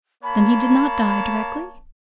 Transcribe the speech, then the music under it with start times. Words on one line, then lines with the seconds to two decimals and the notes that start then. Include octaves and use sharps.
'Then he did not die directly?'
0.23 A#3 C#5 A5 B5